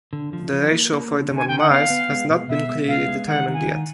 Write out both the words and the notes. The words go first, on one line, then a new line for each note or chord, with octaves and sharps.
The ratio for them on Mars has not been clearly determined yet.
D3
F3
F3
A#3
A#3
D3
D3 G#5
D3 G5
F#5
B3 F5
B3
G#3
B2
B2 E5
G#3
B3 F5
G#3
D#3 F#5
D#3
G#5
D#3